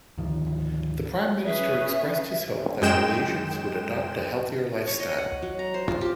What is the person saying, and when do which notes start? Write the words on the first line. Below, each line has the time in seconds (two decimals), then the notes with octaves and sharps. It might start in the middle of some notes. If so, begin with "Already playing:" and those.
The Prime Minister expressed his hope that Malaysians would adopt a healthier lifestyle.
0.18 D2 G#2 D#3 F3
1.45 C#4 G#4 B4 E5
2.82 F#2 G#3 G5 E7
4.87 C#5
5.00 D#5
5.18 F#5
5.42 F#3
5.59 A#5
5.74 C5
5.88 F4
6.01 G4